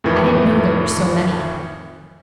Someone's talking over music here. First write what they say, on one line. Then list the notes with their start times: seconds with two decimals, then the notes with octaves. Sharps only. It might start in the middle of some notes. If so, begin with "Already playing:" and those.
I didn't know there were so many.
0.04 F2 A2 D#3 E3